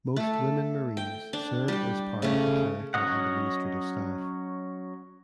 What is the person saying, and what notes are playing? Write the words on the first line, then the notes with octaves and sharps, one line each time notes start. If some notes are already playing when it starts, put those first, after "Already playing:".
Most women Marines served as part of the clerical and administrative staff.
A3 A4
G5
D4
G3 G4
C#3 A3 C#4
F#3 C#4 C#5 D#5 F#5